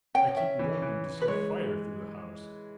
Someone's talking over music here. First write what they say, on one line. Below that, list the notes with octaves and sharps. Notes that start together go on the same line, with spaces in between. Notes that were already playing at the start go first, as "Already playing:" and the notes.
I keep wanting to set fire to the house.
C#4 G5
C#4 E5
E3
E3
E3
B4
G#3 C#5